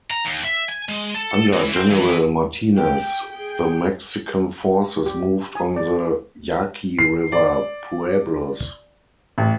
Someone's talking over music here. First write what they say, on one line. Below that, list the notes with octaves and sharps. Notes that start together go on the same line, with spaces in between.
Under General Martinez, the Mexican forces moved on the Yaqui River pueblos.
A#5
D#2
E5
G#5
G#3
A4
E3
C4
E3
G4 G5
G#4 G5
G4
G#5 D#6
D5
C7
D5
A1